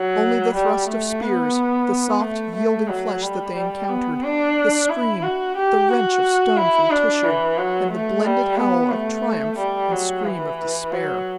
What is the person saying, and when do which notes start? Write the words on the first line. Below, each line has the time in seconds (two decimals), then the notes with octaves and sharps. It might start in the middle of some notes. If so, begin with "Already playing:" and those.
Only the thrust of spears, the soft, yielding flesh that they encountered, the scream, the wrench of stone from tissue, and the blended howl of triumph and scream of despair.
Already playing: F#3
0.54 G3
0.88 A3
1.21 B3
2.22 A3
2.56 A3
2.88 F#3
3.22 G3
3.56 G3
3.89 B3
4.23 D4
4.90 E4
5.23 F#4
5.57 G4
5.90 F#4
6.57 E4
6.90 D4
7.24 E3
7.58 F#3
7.91 A3
8.24 G3
8.57 B3
8.91 A3
9.58 G3
9.92 F#3
10.25 E3
10.92 F#3